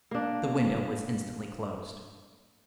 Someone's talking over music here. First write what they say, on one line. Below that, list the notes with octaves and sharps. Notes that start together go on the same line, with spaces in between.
The window was instantly closed.
A#3 D4